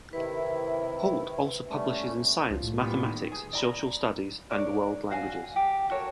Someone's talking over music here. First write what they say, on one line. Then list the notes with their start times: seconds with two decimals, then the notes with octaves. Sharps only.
Holt also publishes in science, mathematics, social studies, and world languages.
0.13 C3 D#3 E4 B4
1.69 G3 A3 C#4
2.50 C#2 F3
2.63 A2
2.79 A#2 G3 B3
3.06 D#3
3.32 G#4
3.53 D5 A#5 B5
4.50 D4 A#4 C#5 D5
5.10 F#4 F5 F#5 G#5
5.56 G4 G5
5.90 F#4 A4 A#4 C#5